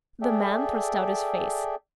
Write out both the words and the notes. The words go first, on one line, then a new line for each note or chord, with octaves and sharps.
The man thrust out his face.
G#4 A4 D5 E5 G5